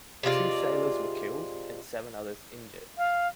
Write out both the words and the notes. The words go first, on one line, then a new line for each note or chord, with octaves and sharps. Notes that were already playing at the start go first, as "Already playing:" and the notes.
Two sailors were killed and seven others injured.
C3 G#3 F4 D5
F5